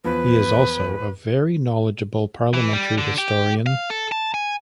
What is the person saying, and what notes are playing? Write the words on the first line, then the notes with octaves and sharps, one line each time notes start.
He is also a very knowledgeable parliamentary historian.
E2 F3 B4
E3
G3
D3
G4
F5
A4
A5
G#5